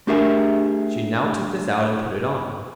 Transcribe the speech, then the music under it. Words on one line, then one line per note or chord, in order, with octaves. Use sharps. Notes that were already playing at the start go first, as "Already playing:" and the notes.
She now took this out and put it on.
A3 D4 G4 G#4 A#4 E5